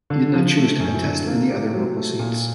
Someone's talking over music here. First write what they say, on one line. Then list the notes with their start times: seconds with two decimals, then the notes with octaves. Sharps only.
He did not choose to contest any other local seats.
0.10 D3
0.33 F3
0.57 A3
0.80 F#2
1.02 D3
1.26 A#3
1.50 C3
1.73 F#3
1.97 A3
2.19 A#2